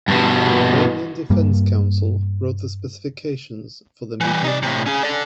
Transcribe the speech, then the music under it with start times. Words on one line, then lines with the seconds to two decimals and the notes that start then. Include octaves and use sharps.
The Romanian Defense Council wrote the specifications for the medium tank.
0.08 G2 B2
1.30 G2 G3 A#3
4.21 E3 G3
4.44 D#4 D5
4.63 A2 C3
4.86 C#4 G#4
5.03 A4 D5